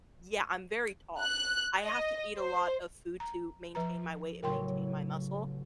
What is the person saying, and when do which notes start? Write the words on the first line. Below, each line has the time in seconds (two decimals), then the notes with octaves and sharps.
Yeah, I'm very tall; I have to eat a lot of food to maintain my weight and maintain my muscle.
1.21 F#6
1.84 D#5
2.36 C5
3.20 A#5
3.75 F3 B4 A#5
4.43 A1 C#3 F#3 A#4 G5 C6